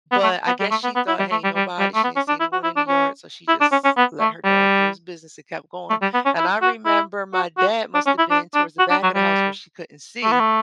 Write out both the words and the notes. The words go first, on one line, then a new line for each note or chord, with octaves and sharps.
but I guess she thought, "Hey, nobody," she didn't see anyone in the yard, so she just let her dog do his business and kept going, and I remember my dad must've been towards the back of the house where she couldn't see,
B3
A3
B3
G3
A3
B3
B3
E4
G3
A3
G3
G3
G3
A3
B3
C#4
D4
E4
F#4
E4
D4
C#4
E4
D4
C#4
C#4
B3
A3
G3
A3
G3
B3
C#4
E4
F#4
E4
F#4
F#4
D4
C#4
E4
D4
D4
F#4
D4
F#3
G3
A3
B3
A3